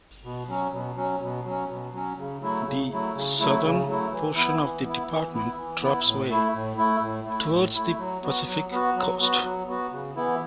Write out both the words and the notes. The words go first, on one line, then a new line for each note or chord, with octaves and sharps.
The southern portion of the department drops away towards the Pacific coast.
B2
F#3 C#4
B2
F#3 C#4
B2
F#3 C#4
B2
F#3 C#4
C#3
F#3 A3 E4
C#3
F#3 A3 E4
C#3
F#3 A3 E4
C#3
F#3 A3 E4
E3
B3 E4
E3
B3 E4
E3
B3 E4
E3
B3 E4
A2
A3 E4
A2
A3 E4
A2
A3 E4
A2
A3 E4
F#3
B3 F#4
F#3
B3 F#4
F#3
B3 F#4
F#3
B3 F#4
C#3
E3 B3 E4